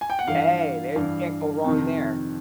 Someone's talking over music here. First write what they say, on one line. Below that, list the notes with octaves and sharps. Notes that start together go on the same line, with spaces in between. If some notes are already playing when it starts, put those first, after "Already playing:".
Hey. There you can't go wrong there.
G#5
G5
F#5
G2 E3 F5
G2 E3
F2 C3 D#3